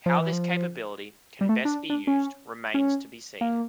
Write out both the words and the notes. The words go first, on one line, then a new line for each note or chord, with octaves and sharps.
How this capability can best be used remains to be seen.
F3
E3
F3
G3
A3
D4
D4
C#4
C#4
A#3